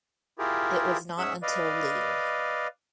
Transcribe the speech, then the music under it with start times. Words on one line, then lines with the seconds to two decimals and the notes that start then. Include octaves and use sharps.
It was not until later.
0.39 E4 F4 G4 G#4 A#4
1.18 G#2 C#4 G#4 E5 F#5 E6
1.42 B4 D5 D#5 F5